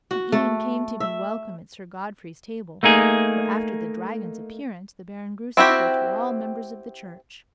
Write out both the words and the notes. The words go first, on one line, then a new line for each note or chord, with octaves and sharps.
He even came to be welcome at Sir Godfrey's table; for after the Dragon's appearance, the Baron grew civil to all members of the Church.
F#4
A3
E5
A3 A#3 D#4 G#4
C4 E4 F#4 G4